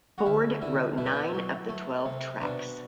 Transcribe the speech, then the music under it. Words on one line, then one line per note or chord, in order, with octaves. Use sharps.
Ford wrote nine of the twelve tracks.
F#4
D2 E4
D3 E4
B2 E4
D4
E4
F#3
A3
C3
B2 D4